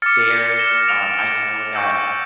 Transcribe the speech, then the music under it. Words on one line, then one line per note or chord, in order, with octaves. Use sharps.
they're g um, I know that,
D6 F6 A6 C#7
A#6
E7 G7
D6 F6 D7 F7
C#6 E6 G6